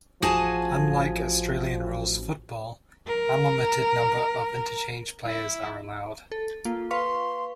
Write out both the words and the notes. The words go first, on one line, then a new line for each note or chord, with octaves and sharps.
Unlike Australian Rules Football, unlimited number of interchange players are allowed.
A1 F3 F#4 G#4 G#5 A5
A#4
E4
A4
A#3 F4
B4 F5 C6 C#6